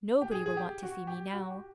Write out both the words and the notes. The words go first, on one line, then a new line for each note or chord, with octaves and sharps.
Nobody will want to see me now.
G4
G#4
G#4
G4
F#4
G4
F#4
G4